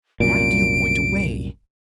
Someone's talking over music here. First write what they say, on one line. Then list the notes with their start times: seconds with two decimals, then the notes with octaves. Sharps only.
"Why do you point away?"
0.20 C2 F#2 A#2 D7